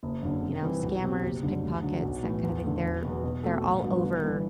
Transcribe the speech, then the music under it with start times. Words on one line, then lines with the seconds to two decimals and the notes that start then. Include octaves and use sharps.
you know, scammers, pickpockets, that kind of thing, they're they're all over
0.03 F#1
0.23 F#2 D3
0.43 C3
0.63 E3 G3 C4
0.83 B1
1.03 B2 F#3 C4 G4
1.23 F#1
1.43 F#2 D3 G3
1.63 D2
1.83 D3 F#3
2.03 B1
2.23 A2 E3
2.43 E2
2.63 D3 A3
2.83 E1
3.03 E2 B2 F#3 B3
3.24 B2
3.43 A3 C4 F#4 A4
3.63 A1
3.83 G2 F#3 B3 F#4
4.04 G1
4.24 G2 E3